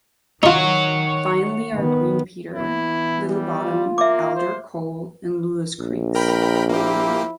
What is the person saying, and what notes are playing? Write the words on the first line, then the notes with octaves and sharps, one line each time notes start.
Finally are Green Peter, Little Bottom, Alder, Coal, and Lewis creeks.
D#3 D#4 F4 C#5 F#5
D#3 B3
E3 B3 E4
G3
F4
A#3 E5 D6
C5
A#1
A#4 G5 B5
F3 A#3 E4 G4